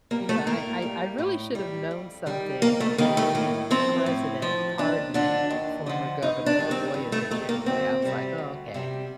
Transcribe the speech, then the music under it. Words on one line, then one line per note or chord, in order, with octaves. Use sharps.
You know, I I I really should've known something when the president pardoned former governor Blagojevich anyway, I was like, "Oh okay."
G3 A#3
A3
A2 A#3
G3
A2
G3
F2
D#3 G3
F2 A#3
A3
D#3 G3 A#3
A3
A2 A#3
F3 C4
A2
F3
D#2 D4
D3 F3 D4
D#2
D3 F3
G2 D#4
D4
D#3 G3
C4
G2
A3
D#3 G3 A3
A#3
D2 C4
C3 G3
D2
C3 G3